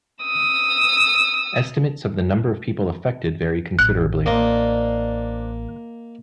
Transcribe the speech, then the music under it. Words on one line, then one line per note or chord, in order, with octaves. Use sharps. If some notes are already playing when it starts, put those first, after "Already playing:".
Estimates of the number of people affected vary considerably.
D#6 E6
A1 F#6
A#3 D4 C5 D#5